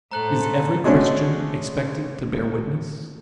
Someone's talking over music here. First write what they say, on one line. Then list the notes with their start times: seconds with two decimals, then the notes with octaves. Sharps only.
Is every Christian expected to bear witness?
0.11 A2 A4 C5 A#5 F#6 F#7
0.85 G#3 A3 C#4 D4 F#4